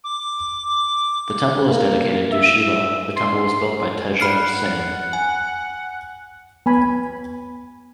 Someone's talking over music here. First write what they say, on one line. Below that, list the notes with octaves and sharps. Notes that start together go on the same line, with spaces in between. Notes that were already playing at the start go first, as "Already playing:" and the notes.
The temple is dedicated to Shiva The temple was built by Teja Singh.
D6
A#3
E5
C6
F#5 B5 F6 C7
G#5
B3 G#5 B5